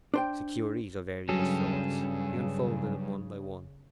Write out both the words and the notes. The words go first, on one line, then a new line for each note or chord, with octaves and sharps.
"Securities of various sorts." He unfolded them one by one.
D4 C5 G5
G2 C#3 F#3 C#4 G#4 A4